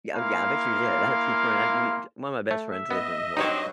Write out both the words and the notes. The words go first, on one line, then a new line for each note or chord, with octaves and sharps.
Oh, yeah. I bet you did. I have some friend m t one of my best friends lived in La Jolla,
A#3 E4 F5 G#5 C6
A3
E5
B3 D#5
G2 F#3 C4 D#4 C#5